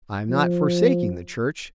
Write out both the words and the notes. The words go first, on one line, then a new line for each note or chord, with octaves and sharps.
I am not forsaking the Church.
F3